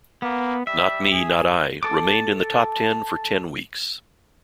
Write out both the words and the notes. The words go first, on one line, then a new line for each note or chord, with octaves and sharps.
"Not Me, Not I" remained in the top ten for ten weeks.
A#3 B3
G3 E5
G#4
A4 D6